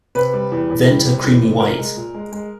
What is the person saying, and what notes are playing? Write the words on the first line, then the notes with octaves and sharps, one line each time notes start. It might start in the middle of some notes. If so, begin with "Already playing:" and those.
Venter creamy white.
C3 B4
G3
E2
E2
G3
C3
E2
C3
A#2 A#4
G#3
A#2
G#3
G#3